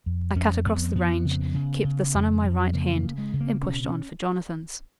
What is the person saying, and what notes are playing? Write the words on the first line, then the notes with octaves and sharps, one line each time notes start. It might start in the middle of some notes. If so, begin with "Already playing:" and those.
I cut across the range, kept the sun on my right hand, and pushed on for Jonathan's.
F2
F2 C#4
F2 B3
F2 B3
C#3
C#3
C#3
F2
F2
C#3 A#3
A#3
C#3
G#3
C#3
A#3
B2 C#4
C#4